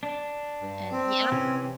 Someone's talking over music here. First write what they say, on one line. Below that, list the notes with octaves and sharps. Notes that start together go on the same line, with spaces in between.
And Yep.
D4
G2
C4
C3 E3 C#4